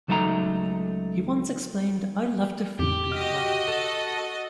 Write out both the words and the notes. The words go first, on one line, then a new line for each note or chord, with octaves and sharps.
He once explained, I love to feed people.
C#2 F#3 A3 D#4 F5 A#5
F2 A2 G4
F#4 D#5 F6 B6
A4